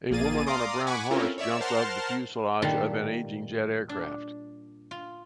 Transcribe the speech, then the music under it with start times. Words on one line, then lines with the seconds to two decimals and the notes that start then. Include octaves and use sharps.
A woman on a brown horse jumps of the fuselage of an aging jet aircraft.
0.11 A#1 A#3 G#4 A6 D#7
0.46 D5 F5 A#5 C6 D6 D#6
0.87 F#5 G#5 B5 C#6 D6
1.11 C4 C#4 E4 F4 A4 A#4
1.38 C#5 D5 E5 E6
1.60 A#4 C5 F#5 A5 C6 F6
2.62 A#2 D#3 G3 A4 A5 C6
3.89 D4
4.91 F4